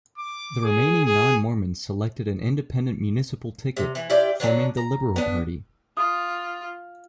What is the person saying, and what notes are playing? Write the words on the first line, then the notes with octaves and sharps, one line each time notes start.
The remaining non-Mormons selected an independent municipal ticket, forming the Liberal Party.
D6
G#4
G#4
C3
E3
E4 F4 G4 D5
D3 F#3 B3 D4
A#5
B3 D4
F4 D#6